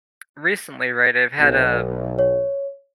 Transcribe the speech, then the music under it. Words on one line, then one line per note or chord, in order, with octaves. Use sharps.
recently, right, I've had a
B1
C#5